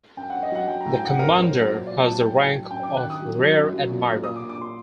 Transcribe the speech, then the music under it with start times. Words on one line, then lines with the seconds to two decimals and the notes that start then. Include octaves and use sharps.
The commander has the rank of rear admiral.
0.17 F#2 G5
0.30 F#2 F#5
0.43 D#5
0.52 F#3 F#5
0.68 F#3 G5
0.81 A2 A#5
0.94 G5
1.02 A2 F#5
1.19 F#2 A#4
1.36 F#2
1.44 C5
1.53 F#3
1.69 A#2 C5
1.86 A#2 D5
2.04 F#3 A5
2.21 A2 G5
2.38 A2
2.55 F#3
2.71 F#2 G5
2.83 D#3 D6
2.97 F#6
3.04 D#3
3.10 D#6
3.22 F#3
3.39 F#3
3.56 F#2
3.73 F#3
3.90 A#2
4.07 A#2
4.23 A#2 D#6
4.36 D6
4.40 A#2
4.49 D6
4.58 A#2 C6